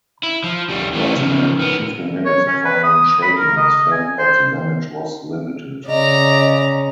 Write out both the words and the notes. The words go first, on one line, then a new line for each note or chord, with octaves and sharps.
Approximately fifteen minutes of violent shaking was felt but the damage was limited.
E4
F3
D2 G3
E3 A3
C#3 F3
D#3 B3
C#5
C#4
B4
D#6
B5
A#4
D#5
G#5
C5
C#3 D5 D#5 A#5